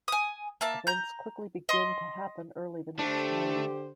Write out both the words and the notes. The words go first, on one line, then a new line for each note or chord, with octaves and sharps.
Events quickly begin to happen early the next morning.
G#5 D#6
A#3 E5 A5
A#5 G6
D#5 C6
D3 A3 D4 G4 C5